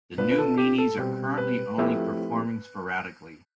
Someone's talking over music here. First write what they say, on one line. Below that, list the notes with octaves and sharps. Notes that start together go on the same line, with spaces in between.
The New Meanies are currently only performing sporadically.
B2 B3 D4 F4 B4
B4
A4
G4
A4
B2 G3 C4 G4
B4
F3 A3 C4 E4 G4